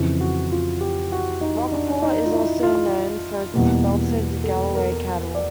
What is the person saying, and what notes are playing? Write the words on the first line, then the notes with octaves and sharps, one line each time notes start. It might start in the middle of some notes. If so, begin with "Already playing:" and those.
Rockport is also known for its Belted Galloway cattle.
Already playing: F2 C#3 E3
F#4
F4
G4
F#4
D#4
D4
D#4
F4
E4
F4
E2 B2 G3 A#3
A4
A#4
D5